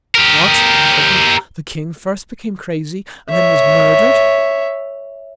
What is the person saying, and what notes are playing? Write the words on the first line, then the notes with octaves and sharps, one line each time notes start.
What, said he, the King first became crazy, and then was murder'd.
G4 A#4
C#5 E5